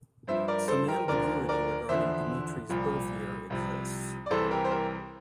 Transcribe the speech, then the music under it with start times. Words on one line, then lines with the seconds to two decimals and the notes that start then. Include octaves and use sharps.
Some ambiguity regarding Dimitrie's birth-year exists.
0.27 G2 F3 C5 E5
0.48 A#4 D5
0.68 A4 C5
0.88 G4 A#4
1.08 D2 D3 F3 A#4 D5
1.49 A#4 D5
1.89 E2 D3 F3 C5 E5
2.69 C2 A#2 F3
3.50 C2 C3 F3
4.26 D5
4.30 C2 C3 E3 A4 C5
4.51 G4 A#4
4.65 C5
4.71 G4 A#4